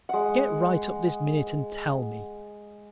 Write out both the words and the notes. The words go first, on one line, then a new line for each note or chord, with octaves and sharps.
Get right up this minute and tell me.
G#3 F#5